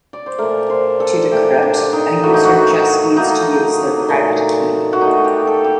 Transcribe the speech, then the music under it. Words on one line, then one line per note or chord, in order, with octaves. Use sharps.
To decrypt, a user just needs to use their private key.
D5
C5
A#2 A3 A#4
C5
A4
A#2 A3 G4
D4
D#4
A2 F#3 A#3 F#4
D#4
F#4
D#4
A2 F#3 A#3 D#4
A#2 A3
F#4
A#2 A3 D#4
G4
A4
G4